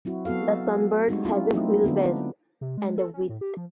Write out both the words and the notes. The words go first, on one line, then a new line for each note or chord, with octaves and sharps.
The Sunbird has a wheelbase and a width.
F#3 C4 E4 F#4
F#3 B3 F#4 A4 F5
G3 G#3 C4 D#4 F#4
C4 D4 E4 F4
F#3 A3 A#3 C4 D#4 E4
D3 B3 D4 F4
C3
G#3
A4
C#4
A2
G4
F3